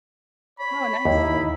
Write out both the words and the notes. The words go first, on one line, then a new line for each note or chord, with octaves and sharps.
Oh, nice.
C#5 B5
D#2 D#4 E4